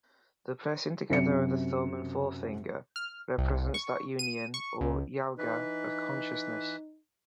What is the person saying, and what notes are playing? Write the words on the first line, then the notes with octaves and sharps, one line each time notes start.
The pressing together of the thumb and forefinger represents that union-or "yoga"-of consciousness.
F#2 C3 C#7
F6
C2
C#6
D#7
C#6
C#2
E3 D#4 B4